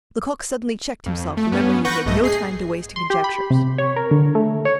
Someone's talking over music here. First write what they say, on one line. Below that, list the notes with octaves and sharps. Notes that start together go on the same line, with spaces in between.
Lecoq suddenly checked himself, remembering that he had no time to waste in conjectures.
F2
A3
G2 B3 C#4
B4 F#5 C#6 G6 A#6
A#1 G2 A3 D#5
G#4 C7
C6
G4
B5
C3
C#5
A#4
D3
A3
C#5